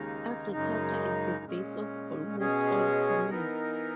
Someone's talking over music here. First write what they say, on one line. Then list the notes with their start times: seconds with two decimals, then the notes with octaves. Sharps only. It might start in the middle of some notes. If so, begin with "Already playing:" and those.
Agriculture is the base of almost all commerce.
Already playing: D#2 C#3 G#3 D#4
0.52 F#2 C#3 G#3 D#4
1.45 A#2 G#3 C#4
2.38 B2 G#3 C#4 G#4
3.30 E3 B3 D#4 A#4